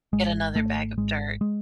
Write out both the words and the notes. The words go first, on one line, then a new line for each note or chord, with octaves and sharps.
get another bag of dirt.
G#1 G#3
G#1 A3
G#1 G#3
G#3